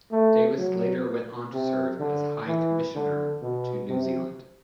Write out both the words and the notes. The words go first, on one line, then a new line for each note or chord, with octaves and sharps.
Davis later went on to serve as High Commissioner to New Zealand.
A3
F#3
C3
D3
E3
D3
B2
C3